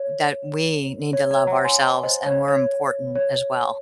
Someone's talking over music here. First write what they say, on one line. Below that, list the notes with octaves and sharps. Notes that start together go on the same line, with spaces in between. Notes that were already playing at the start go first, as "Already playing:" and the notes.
that we need to love ourselves and we're important as well.
Already playing: C#5
C#5
C#5
F#5 A#5
G#5 C6
C5 D#5
C#5
C#5
C#5